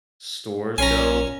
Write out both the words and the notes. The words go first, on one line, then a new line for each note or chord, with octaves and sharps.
stores go,
B1 C#4 C#5 G#5 A#5